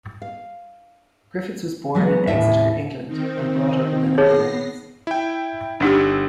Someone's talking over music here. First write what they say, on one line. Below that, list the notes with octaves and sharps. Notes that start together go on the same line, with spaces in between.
Griffiths was born in Exeter, England, and brought up in the Netherlands.
F5
E3 F#3 G#3 B3 F#4
D#2 A2 E4 E5
D#3 C4 D#4
B3 D#4 G#4 C#5 A#6 C7
E4 G5
G1 D4 D#4 G4 F#5 E6